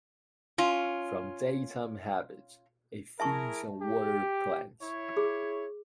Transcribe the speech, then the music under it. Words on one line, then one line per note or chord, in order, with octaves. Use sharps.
From daytime habits, it feeds on water plants.
C#4 F4
E4 G#4 A#4 E5 A5 C#6
G4
E4 C#5
G#4